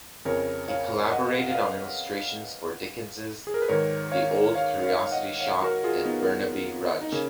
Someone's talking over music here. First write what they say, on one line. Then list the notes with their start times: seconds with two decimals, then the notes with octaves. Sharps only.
He collaborated on illustrations for Dickens's "The Old Curiosity Shop" and "Barnaby Rudge".
0.25 F2 C#3 A#4 C#5
0.68 C#5 F5
1.12 D#5 F#5
1.49 F5
1.55 B4 D#5
3.47 G#4
3.54 A#4
3.62 B4
3.68 G#2 D#3 A#4 C#5
4.12 C#5 F5
4.54 C#5 F5
4.83 C#5 F5
5.02 F5
5.11 D#5 F#5
5.41 C#5 F5
5.62 F#4 A#4
5.84 F4 G#4
6.05 B3 D#4
7.01 D#4
7.12 C#3 A#3 C#4